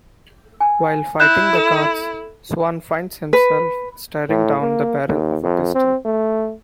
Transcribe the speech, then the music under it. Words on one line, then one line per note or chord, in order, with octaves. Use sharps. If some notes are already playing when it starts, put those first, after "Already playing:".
While fighting the guards, Swan finds himself staring down the barrel of a pistol.
G#5
E4 F#6 G6 E7
A4 E7
B4
A2
A#3
D#2
F2
C4
A3